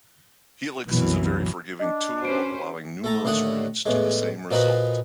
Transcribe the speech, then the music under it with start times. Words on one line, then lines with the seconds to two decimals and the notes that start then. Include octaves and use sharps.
Helix is a very forgiving tool, allowing numerous routes to the same result.
0.89 C2 F#2 B2 E3 F#3
1.79 D4 D#5
2.22 C#4 F#4 B4 C5 D7
3.04 A3 A4 A#5
3.25 D#2 A2 D3 D#5 F#5
3.86 E2 A2 G#3
4.51 A#2 F3 D#4 F#4 B4